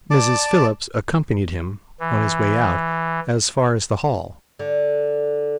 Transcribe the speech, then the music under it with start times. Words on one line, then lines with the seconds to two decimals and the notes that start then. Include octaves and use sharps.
Mrs. Phillips accompanied him, on his way out, as far as the hall.
0.11 D5 A5 D6
2.00 E3
4.59 D3